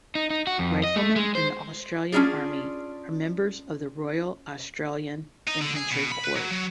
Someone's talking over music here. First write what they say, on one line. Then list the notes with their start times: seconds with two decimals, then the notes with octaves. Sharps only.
Riflemen in the Australian Army are members of the Royal Australian Infantry Corps.
0.15 D#4
0.30 D#4
0.47 F#4
0.59 F2
0.84 D#5
0.96 A3
1.16 G#3
1.35 C5
2.12 C#4 D4 E4 F4 G#4
5.47 D#4
5.61 D3
5.76 G#4
5.91 B2
6.12 B5
6.24 B4
6.36 F#3
6.51 F#3